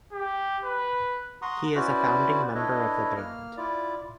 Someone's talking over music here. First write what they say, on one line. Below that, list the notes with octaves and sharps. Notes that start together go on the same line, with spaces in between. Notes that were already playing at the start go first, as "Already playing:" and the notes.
He is a founding member of the band.
G4
B4
F#5 A#5 C6 C#6 D#6
C#4 E4 F#4 B4 C5 D5
D4 E4 A4 B4 C#5 D#5
A#3 F6
E4 F4 D5